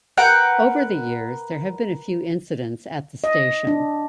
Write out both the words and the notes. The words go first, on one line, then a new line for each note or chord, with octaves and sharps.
Over the years, there have been a few incidents at the station.
A#4 B4 F#5 G5
D#5
D4